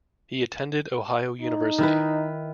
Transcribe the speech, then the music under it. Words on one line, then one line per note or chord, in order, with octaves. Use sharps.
He attended Ohio University.
D#4
D#3 E4 B4